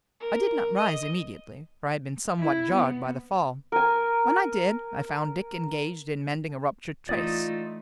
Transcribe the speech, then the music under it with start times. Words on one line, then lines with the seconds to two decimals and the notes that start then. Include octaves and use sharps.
I did not rise immediately, for I had been somewhat jarred by the fall; when I did I found Dick engaged in mending a ruptured trace.
0.20 A#4
0.77 D#5
2.39 E4
2.72 B3
3.72 A#4 G#5
7.09 E3 A3 D#4 F4 D5 D#5 D#6